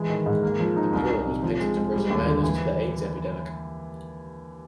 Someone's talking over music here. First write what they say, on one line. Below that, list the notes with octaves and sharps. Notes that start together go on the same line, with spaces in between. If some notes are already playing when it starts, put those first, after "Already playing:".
The mural was painted to raise awareness to the Aids epidemic.
Already playing: E3 G#3
D#3
G#2
A#3
F3
D#4
C2
C2
C3
F3
G#3
G#3
G3
D#2
D3
E3
G3